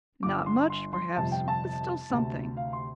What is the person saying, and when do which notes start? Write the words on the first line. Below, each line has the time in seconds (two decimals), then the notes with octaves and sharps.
"Not much, perhaps, but still something."
0.23 G1 G2 D3 D6
0.46 C6
0.70 C6
0.93 C6
1.16 G1 F2 C3 A5
1.32 G5
1.48 A5
2.10 D2 C3
2.57 F5
2.73 C6